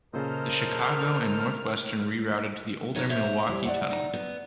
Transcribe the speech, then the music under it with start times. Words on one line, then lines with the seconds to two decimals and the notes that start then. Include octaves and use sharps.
The Chicago and North Western rerouted to the older Milwaukee tunnel.
0.13 A#2 C#3 A4 A#4 C5 D#5 F6
2.95 B3 D#4 C#5
3.09 C5 C#5 E5
3.49 G3 E4
3.65 D5 F#5
3.91 D#4
4.13 B3